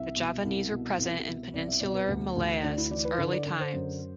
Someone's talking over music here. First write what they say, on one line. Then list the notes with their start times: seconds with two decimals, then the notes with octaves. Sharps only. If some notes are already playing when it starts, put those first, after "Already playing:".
The Javanese were present in Peninsular Malaya since early times.
Already playing: C2 E5
0.16 B2
0.44 C2
0.71 B2
0.98 C2
1.26 B2
1.53 C2 D5
1.68 E5
1.81 B2 D5
1.95 B4
2.08 D2
2.36 D2
2.63 D2 D4
2.78 E4
2.91 E3 D5
3.05 B4
3.18 D3 B4
3.32 D5
3.46 D3 D5
3.60 C5
3.74 F#2